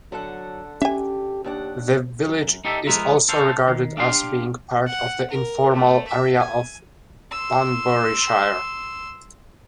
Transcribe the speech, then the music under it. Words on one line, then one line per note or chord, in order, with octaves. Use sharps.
The village is also regarded as being part of the informal area of Banburyshire.
D3 F#3 A4 F#5
C#4 G4 E5 G#5
D#2 D4 G4 F#5
F#2
D#4 G4 A4 D5 E5
F3 G#3 B3 F4 A#4 E5
A4 C5 F5
D#3
D4 G4 F5 C6
F#5
A#4
A3
E5
G#5
C6 E6